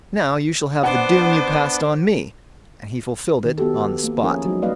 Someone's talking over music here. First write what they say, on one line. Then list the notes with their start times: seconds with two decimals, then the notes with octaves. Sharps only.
'Now you shall have the doom you passed on me', and he fulfilled it on the spot.
0.83 B3 D4 C5 F#5 D6
3.45 D#3
3.58 B3 F#4 G4 A4
4.04 A#3
4.23 F3 C#4 E4 G#4 A#4 C#5
4.45 F#3 G#3 D#4
4.62 G3 A#3 B4 D5 D#5 F5